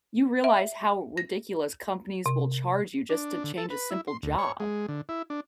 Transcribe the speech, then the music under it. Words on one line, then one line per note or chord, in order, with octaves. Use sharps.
you realize how ridiculous companies will charge you just to change a simple job.
E5
A#6
C3
D4
D3
A4
B4
E4
C6
D2
C#5
G#3
D3
E4
D4